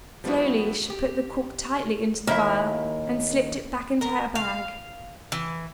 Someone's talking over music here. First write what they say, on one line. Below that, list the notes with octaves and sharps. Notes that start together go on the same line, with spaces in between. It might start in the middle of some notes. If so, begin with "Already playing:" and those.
Slowly, she put the cork tightly into the vial and slipped it back into her bag.
F3 G3 B3 D4 E4 F#4
G4
D#2 A#3 E4 E5
A#4
F5
E3